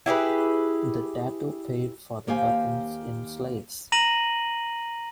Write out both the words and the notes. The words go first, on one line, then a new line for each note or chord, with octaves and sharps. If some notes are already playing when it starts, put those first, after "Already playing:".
The Datu paid for the weapons in slaves.
E4 G4 G#4 B4
D#2 A#3 G4 C5 F5 G#5
A#5 A#6 D#7 F#7